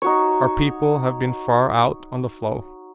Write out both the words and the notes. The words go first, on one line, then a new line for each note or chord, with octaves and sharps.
Our people have been far out on the floe.
D#4 F#4 C#5